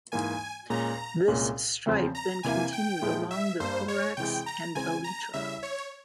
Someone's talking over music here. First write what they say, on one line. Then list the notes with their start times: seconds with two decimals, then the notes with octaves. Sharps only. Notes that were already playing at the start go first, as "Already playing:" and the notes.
This stripe then continued along the thorax and elytra.
0.12 G#2 E3 A#3 G#5
0.70 A#2 G#3 C#4 A#5
1.28 C2 A#2 G#3 C#4
1.86 E2 C#3 F3 C4
2.15 A#5
2.43 C3 E3 A#3 E4 G#5
2.73 G5
3.02 A#2 F3 G#3 E4
3.31 E5
3.60 G2 G3 A#3 C5
3.88 C#5
4.17 C3 E3 G#3 G5
4.46 A#5
4.75 C#3 E3 G#3 C4 G#5
5.04 A#5
5.33 C#3 G3 C#4 E4 E5
5.63 C#5